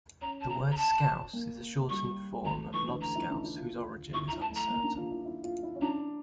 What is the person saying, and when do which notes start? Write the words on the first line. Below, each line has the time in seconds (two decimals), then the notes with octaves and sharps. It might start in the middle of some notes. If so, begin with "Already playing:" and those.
The word "scouse" is a shortened form of "lobscouse", whose origin is uncertain.
0.21 C#4 A#5
0.41 A5
0.49 A#5
0.72 A#5
0.77 A5
1.33 A#3
1.89 G3 C#6
2.45 A3 A#5
2.73 E3 C#6
2.88 D3
3.01 A3 A#5
3.15 E4
3.30 D4
3.44 E4
3.57 F4
4.13 E4 C#6
4.28 A#5
4.33 E4
4.41 A5
4.51 A3 A#5
4.70 A#3
4.83 D4
4.98 F4
5.11 E4
5.25 E4
5.44 F4
5.63 E4
5.75 C#4
5.82 D4 A#5